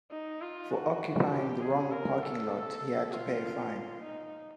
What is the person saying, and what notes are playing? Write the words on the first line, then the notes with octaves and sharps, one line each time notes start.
For occupying the wrong parking lot he had to pay a fine.
D#4
F4
F#4
G4
G#4
A#4
A4
F4
D#4